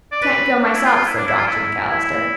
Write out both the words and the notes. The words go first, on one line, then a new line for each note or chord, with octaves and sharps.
"Can't go myself," said Dr. McAllister.
D5
B4
D4
E4
F4
F4
E4
D4
E4
F4
E4
E4